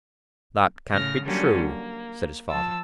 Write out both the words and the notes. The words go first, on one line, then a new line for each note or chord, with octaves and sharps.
'That can't be true,' said his father.
A2 C#3 F6 A#6
D3 F#3 G3 A#3 C#4
A#3
F3 A5 E6